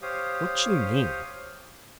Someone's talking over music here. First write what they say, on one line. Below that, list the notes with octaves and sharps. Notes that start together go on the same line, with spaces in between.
"What you mean?"
G4 C5 C#5 F5 D#6